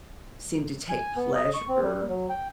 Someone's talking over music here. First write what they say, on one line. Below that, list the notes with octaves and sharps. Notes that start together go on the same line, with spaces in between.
seem to take pleasure
G#5
B3
D#5
C#6
C4
G3
F#3
G5